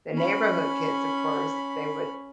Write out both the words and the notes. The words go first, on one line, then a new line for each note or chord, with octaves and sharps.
the neighborhood kids, of course, they would
C#4 B5